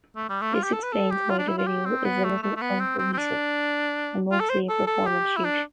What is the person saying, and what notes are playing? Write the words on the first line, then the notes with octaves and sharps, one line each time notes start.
This explains why the video is a little uncohesive and mostly a performance shoot.
A3
G3
A3
F4
G4
A4
B4
A4
G4
F4
D4
E4
F4
G4
C4
B3
A3
A3
A3
B3
C4
C4
C4
D4
F4
A4
C5
A4
A4
G4
E4
D4